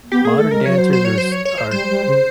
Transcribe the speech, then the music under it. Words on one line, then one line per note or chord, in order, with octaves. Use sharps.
modern dancers are s are
B3 G4
A#3 G#4
A3 A4
G#3 A#4
F#3 C#5
C5
C5
C#5
C5
C#5
C#5
C5
G3 C5
G3
C#3